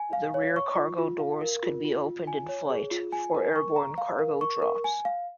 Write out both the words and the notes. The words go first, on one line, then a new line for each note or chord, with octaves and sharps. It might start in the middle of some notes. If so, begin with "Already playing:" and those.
The rear cargo doors could be opened in flight for airborne cargo drops.
Already playing: G#5
F5
C#5
C#6
F4
F4
F5
A#4
F4
F4
F4
G#5
C#5
G#4
F4
G#5
A#4
C#6
A#5
F5
A#4
C#6
A#4
G#5
F5